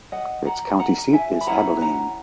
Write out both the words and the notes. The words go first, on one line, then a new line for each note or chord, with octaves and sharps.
Its county seat is Abilene.
D#5 F#5
F#5 A#5
F#5 A#5
E5 G#5
B5
C#4 E4 G#4 F#5 A#5
F#5 A#5